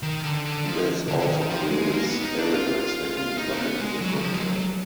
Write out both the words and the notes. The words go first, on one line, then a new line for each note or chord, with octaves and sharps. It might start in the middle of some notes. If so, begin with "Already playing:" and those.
This also creates aliasing, but in a different way.
D#3
D3
D3
F3
D3
D3
D#3
F3
G#3
A#3
B3
D#4
D4
F4
F4
D#4
A#3
B3
G#3
F#3
D#3
F3
G#3
F#3